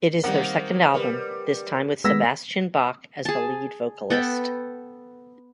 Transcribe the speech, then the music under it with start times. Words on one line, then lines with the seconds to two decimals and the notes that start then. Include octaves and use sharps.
It is their second album, this time with Sebastian Bach as the lead vocalist.
0.24 D#3 G3 A#3 C4 A#4 F#5
0.94 G3 A#4 B4
2.04 D#3 G#3 A3 B3 E6 A#6 B6
3.25 G#4 A5
4.10 B3 A4 G5 B5